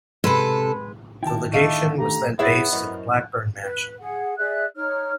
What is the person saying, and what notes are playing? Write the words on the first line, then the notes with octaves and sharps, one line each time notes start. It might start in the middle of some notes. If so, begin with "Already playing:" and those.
The legation was then based in the Blackburn mansion.
C3 G#3 A4 B4
D#3 D#4 E4 G5 A5
A3 D4 D#5 F5
A3 G4 A#5
B3 E4 G#4 C#5 E5 A6
F#2 A#4 C5 D#5
B4
G#4 F#5
G#4 D5 E5 F#6
D#4 C#5 F6